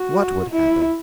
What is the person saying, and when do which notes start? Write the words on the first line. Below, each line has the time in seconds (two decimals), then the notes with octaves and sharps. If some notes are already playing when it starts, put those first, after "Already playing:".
"What would happen?"
Already playing: F#4
0.51 E4